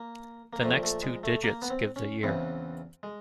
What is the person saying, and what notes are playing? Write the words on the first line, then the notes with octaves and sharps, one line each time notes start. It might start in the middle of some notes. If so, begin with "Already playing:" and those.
The next two digits give the year.
Already playing: A#3
A#3
A#2 F3 A3
A3
G#3
A3
A#3
B3
C4
C#4
E2 C#3 E3 C4
G#3